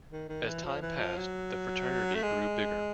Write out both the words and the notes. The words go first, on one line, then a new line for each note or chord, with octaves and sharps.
As time passed the fraternity grew bigger.
D#3
D#3
E3
F3
E3
F3
F#3
A3
G#3